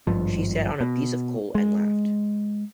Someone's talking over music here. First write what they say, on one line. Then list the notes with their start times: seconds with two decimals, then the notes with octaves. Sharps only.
She sat on a piece of coal and laughed.
0.07 G#1 G2 F3
0.81 B2
1.55 G#3